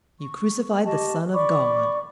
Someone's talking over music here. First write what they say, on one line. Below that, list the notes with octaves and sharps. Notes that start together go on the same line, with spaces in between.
You crucified the Son of God.
C#6
G4 D#5 A5 C#6
D5 B5 C#6 D6